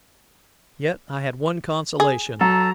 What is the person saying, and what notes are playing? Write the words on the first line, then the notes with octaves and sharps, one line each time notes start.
Yet I had one consolation.
G#4
F#3 A4 A#5